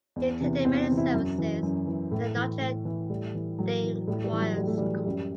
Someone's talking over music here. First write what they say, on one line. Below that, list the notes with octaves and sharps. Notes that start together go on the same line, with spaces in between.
He attended many services at the Notre Dame Choir School.
E2
C3 E3
E2 C4
C3 E3
E4
F#2 F#3
E3
F#2
E3
A2
E3
A2
E3
A2 G3
E3
A2 F#3
E3
A2 G3
G3
E3
F#3
A2 G3
A3
G3
E3
F#2 G3